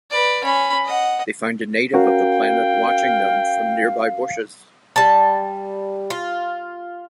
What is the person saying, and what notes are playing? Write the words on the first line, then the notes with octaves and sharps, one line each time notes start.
They find a native of the planet watching them from nearby bushes.
B4 D5
C#4 B5
D#5 F#5
C#4 F#4 A#4 F5 G5
G3 A5
F4